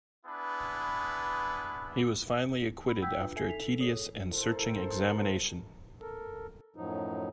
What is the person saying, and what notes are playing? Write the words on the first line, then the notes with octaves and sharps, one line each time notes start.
He was finally acquitted after a tedious and searching examination.
B3 D4 E4 G#4 B4
B5
F#5 G5 E6 G6 G#6 B6
D4 F4 B4
A4 E5 G#5 G#6 C7
D#4 A4 B6 F7
G#4 A4 C#5 D5 D#6
E4 A4 A#4 C5
A4 A#4
F#2 A2 F3 F#3 D#4